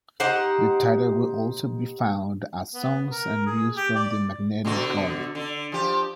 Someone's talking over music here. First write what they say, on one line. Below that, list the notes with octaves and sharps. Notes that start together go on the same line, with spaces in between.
The title will also be found as "Songs and Views from the Magnetic Garden".
D#4 G4 C5 F#5
B3
A#4
G#4
G4
D5
B2 D3 F#4
D3
F3 G4